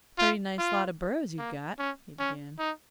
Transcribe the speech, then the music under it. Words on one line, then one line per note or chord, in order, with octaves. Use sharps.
"Purty nice lot of burros you've got," he began.
F4
F4
A#3
C#4
C#4
D#4